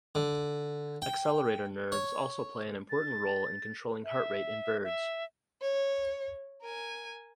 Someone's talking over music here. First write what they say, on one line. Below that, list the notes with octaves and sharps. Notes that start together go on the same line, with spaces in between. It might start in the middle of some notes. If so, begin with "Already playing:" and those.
Accelerator nerves also play an important role in controlling heart rate in birds.
D3
G5
C#5
A6
E5
E5
C#5
A#4 G#5